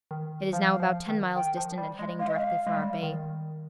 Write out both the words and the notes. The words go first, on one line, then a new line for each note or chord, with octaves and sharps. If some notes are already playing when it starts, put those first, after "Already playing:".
It is now about ten miles distant, and heading directly for our bay.
D#3
F3 F5
F3
D#3
D#3 G5
F3
G3
G#3
G#3 F5
D#5
F5
G#3
G3
D#3